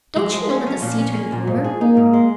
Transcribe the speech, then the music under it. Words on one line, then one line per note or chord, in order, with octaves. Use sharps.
"Don't you know that the sea turned it over?"
F3 G#3
G#3
C#4
C#4
A#2
C#4
A#3
A#2
G#2 F3
G#4
A#3 D#4
G#2
G#3